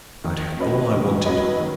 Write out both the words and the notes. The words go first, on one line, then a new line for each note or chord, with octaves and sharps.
I'd had all I wanted.
D#3
F#3 C#4 B4 D#5
D#3
F#3 C#4 B4 D#5
D#3